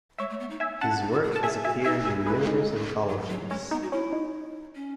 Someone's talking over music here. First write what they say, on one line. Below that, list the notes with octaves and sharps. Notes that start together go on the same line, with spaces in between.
His work has appeared in numerous anthologies.
G#3 C#5 E5
A3
B3
D#4
E5 G#5
C#4 F#5 A5
D#4
F#4
G#4
A4 A5
G#4 E5 G#5
F#4 E5 G#5
D#4 E5 G#5
E5 G#5
G#3 G#4 B4
D#4
F#3
F#3
G#3 C#4
B3 D#4
F#4
C#4 E4
D#4
C#4